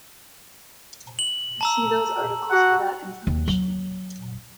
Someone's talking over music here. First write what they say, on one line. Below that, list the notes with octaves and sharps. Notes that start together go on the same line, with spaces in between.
See those articles for that information.
F#7
A5 A#5 E6
F#4 F#5
D#2
F#3